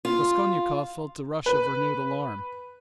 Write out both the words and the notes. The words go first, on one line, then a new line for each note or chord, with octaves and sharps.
Raskolnikov felt a rush of renewed alarm.
F4
B4